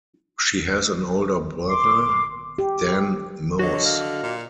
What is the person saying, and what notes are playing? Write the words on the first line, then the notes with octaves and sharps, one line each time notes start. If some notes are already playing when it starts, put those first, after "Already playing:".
She has an older brother, Dan Moos.
C6 D6
G4
D3 F#4 C#5 D#5
F5
A#2